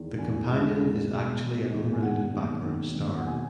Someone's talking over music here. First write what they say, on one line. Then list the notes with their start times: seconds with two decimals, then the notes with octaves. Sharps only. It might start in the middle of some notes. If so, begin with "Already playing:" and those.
The companion is actually an unrelated background star.
Already playing: E2 D#3
0.18 E2 G#5
0.49 G#3
0.80 E1
1.12 B2
1.41 E1
1.73 E1
1.94 G#5
2.03 D#3 F#5
2.34 D#2
2.65 D#3
2.95 D#2
3.16 F#5
3.26 B2 G#5